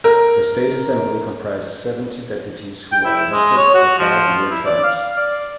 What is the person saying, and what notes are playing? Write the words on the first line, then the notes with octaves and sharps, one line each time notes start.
The State Assembly comprises seventy deputies who are elected for five-year terms.
A#4
G5
E4
G#3
C#5
F#4
F3
E4
D5
F5
D5